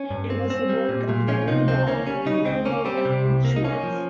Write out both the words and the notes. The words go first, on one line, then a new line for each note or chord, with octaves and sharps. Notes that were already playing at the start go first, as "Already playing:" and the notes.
It was the work of Larry Wall and Randal L. Schwartz.
Already playing: C#4
G2
C4
C4
G3
A#2
A#2
F3 C#4
C3 D#4
C#2 C4
A#3 C#4
G3 C#4
C#3 D#4
C#2 C4
A#3 C#4
G3 C4
C3
C2
A#3
D#4
A#3 C#4
F3